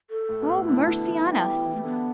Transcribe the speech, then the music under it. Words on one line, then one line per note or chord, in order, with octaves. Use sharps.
Oh, mercy on us!
A4
A2
B2
A2
G4
D3 E4
B2
D3
E3
G3
G3
E3
A3
D3 B3